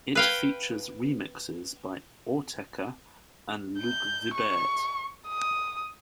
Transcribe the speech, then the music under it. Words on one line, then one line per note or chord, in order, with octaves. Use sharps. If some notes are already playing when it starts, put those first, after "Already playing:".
It features remixes by Autechre and Luke Vibert.
B4 F5 G5
G6
C#6
D#6